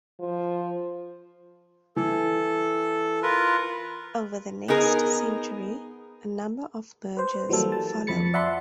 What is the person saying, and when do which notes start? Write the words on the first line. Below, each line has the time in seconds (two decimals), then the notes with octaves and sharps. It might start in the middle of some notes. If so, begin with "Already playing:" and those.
Over the next century, a number of mergers followed.
0.19 F3
1.96 E3 A4
3.23 F4 A#4 B4
4.68 B3 D#4 G#4 A#4
7.17 B4 C5
7.49 E3 F#3 G3 A#3 A4
7.72 A5
8.07 F2 F3 B5 A6 C#7
8.34 D5 E5 F#5 A5 B5 C6